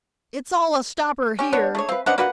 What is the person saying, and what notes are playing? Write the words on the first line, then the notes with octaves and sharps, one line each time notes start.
"It's all a stopper here."
C#4 G4
B3 D4 C#5
A3 D4 G#4 C#5
C4 B4 F5
C#4 D4 B4 C5 D#5 F#5
A#3 D4 F#4 B4 D5 F#5